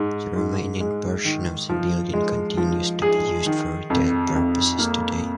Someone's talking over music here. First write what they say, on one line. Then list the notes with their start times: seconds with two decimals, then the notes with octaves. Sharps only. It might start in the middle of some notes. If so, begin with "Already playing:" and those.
The remaining portion of the building continues to be used for retail purposes today.
Already playing: G#2
0.36 G#2
0.80 G#3
1.25 D#3
1.69 F3
2.13 G#3
2.57 F3
3.02 G#4
3.46 D#3
3.90 F2
4.35 F2
4.79 A#3